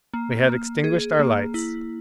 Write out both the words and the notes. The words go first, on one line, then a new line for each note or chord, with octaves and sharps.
We had extinguished our lights.
A#3
A#3
G#4
A#3
E4